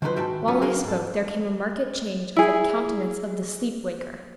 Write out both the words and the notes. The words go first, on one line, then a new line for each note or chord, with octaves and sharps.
While I spoke, there came a marked change over the countenance of the sleep-waker.
D#3 F3 F#3 D#4 B4 C5
G#2 D#4 F#4 E5 G5 A5
F3 F#3 C#4 F4 B4 C#5
F#3 F#4 G#4 A#4 D#5 F5
G#2 A4
E4 G#4